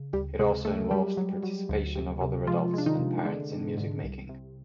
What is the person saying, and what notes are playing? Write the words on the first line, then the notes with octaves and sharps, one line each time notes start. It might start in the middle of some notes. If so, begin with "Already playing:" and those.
It also involves the participation of other adults and parents in music making.
Already playing: C#3
D2 G3 G4
C3 G#3 G#4
G#3 A3 A4
F#3 G3 G4
F#3
F#3
D2
C3
C3
F3 G#3 F4
G#3 D4
D#3 D#4
C3
D3 G#3 D4
G#2
G#2
C2
C3